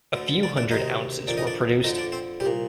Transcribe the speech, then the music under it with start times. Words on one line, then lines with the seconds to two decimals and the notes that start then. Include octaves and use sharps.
A few hundred ounces were produced.
0.14 D2 D3
0.43 D4 D5
0.57 D4 D5
0.71 D2 C3 D#3 D#4 D#5
1.27 F2 D#3 D4 D5
1.37 D#4 D#5
1.47 D4 D5
1.84 F2 D3 D#4 D#5
1.98 D4 D5
2.12 C4 C5
2.40 C2 G3 G4
2.46 A#2